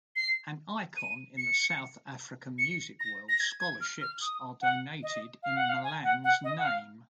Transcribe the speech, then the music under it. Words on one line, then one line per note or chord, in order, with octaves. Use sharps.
An icon in the South African music world, scholarships are donated in Malan's name.
C7
D#7
C#7
C#7
A#6
A#6
G#6
G#6
F6
F6
D#6
F#5
D#5
F5
F#5
F5
G#5
F#5
F#5
D#5
F#5
F5